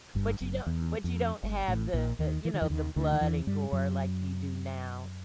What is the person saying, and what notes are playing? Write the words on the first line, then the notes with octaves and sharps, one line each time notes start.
But you don't but you don't have the, you know, the blood and gore like you do now.
G1 G2
F#1 F#2
E2
F2
G1 G2
A1 A2
A#1 A#2
D#2 D#3
E3
D#3
E2 E3
D#2 D#3
D2 D3
D#3
E2 E3
G2 G3
F#2 F#3